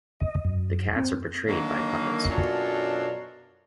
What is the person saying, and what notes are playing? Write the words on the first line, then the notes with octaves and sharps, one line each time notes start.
The cats are portrayed by puppets.
D#5
F#2
C4
D3 D#3 F#3 A#3
F#2 B2 F#3 D4 F4 A4